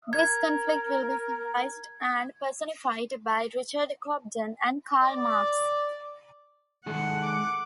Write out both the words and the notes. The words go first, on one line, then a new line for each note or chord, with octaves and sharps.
This conflict will be symbolised and personified by Richard Cobden and Karl Marx.
A#4 G#6
D5
D#3 G#3 A4 F#5
D6